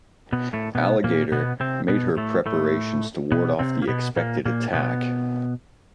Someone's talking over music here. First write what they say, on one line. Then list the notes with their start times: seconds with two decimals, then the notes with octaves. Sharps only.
"Alligator" made her preparations to ward off the expected attack.
0.33 B2 B3
0.53 A2 A3
0.75 B2 B3
1.04 A#2 A#3
1.32 B2 B3
1.60 C3 C4
1.88 B2 B3
2.17 A2 A3
2.46 A2 A3
3.32 B2 B3
3.59 C3 C4
3.82 A#3
3.88 B2 B3
4.16 A#2 A#3
4.45 A#2 A#3
4.73 B2 B3